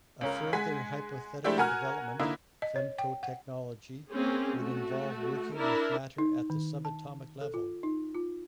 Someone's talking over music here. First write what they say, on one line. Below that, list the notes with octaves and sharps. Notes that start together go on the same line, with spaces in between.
A further hypothetical development, femtotechnology, would involve working with matter at the subatomic level.
C#2 C#4 A#4
G#3 F#5 G#5 B6
F3 G#3 A3 D4 E4 G4
F#4 A#4 F#5 G#5 A#5 F6
D3 A#3 D#4 E4
D#5
C#5
G5
F#5
A#3 C4 C#4 G#4
A3 F#4
D4 E4 A#4
D#4
D#3
A5
A4
F4
D#4
F4